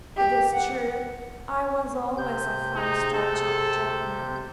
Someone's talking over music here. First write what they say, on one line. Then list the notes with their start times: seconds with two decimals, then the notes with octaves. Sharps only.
It is true, I was always a fine starched-up gentleman!
0.17 G4
0.54 F#5
2.18 C3 G6
2.75 D#4 G#4
3.14 A4